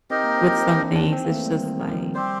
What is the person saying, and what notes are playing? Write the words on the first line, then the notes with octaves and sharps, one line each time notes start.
with some things, it's just like
C4 D#4 G4 A#4 D#5
A#3
C4
C4
D4
C4
D4
C4
A#3
A3
G3
D#3
D#3
F3
G3 C4 G4 C5